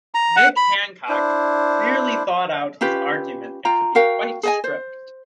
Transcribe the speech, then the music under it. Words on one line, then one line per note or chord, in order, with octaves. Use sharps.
Nick Hancock clearly thought out his argument and could be quite strict.
A#5
F#5
B5
D4 E4 C5
C#4 F4 G4 B4
F4 G5 A#5
F#4 A#4 F5 G5
G#4 D#5 G#5
C5